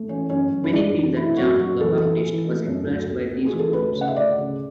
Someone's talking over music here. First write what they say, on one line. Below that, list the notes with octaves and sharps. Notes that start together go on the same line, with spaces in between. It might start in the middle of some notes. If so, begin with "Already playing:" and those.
Many feel that John the Baptist was influenced by these groups.
Already playing: A3
E3 C#4
F#2 C#4
F#2
E4
F#2 D4
E3
A3 E4
F#2 F#4
F#2 F#4
E3 A4
E3
E3
A3
F#2
D2
D2
D2
G#4
E3
A4
D2 B4
C#3
F#5
E5
D2 D5
C#3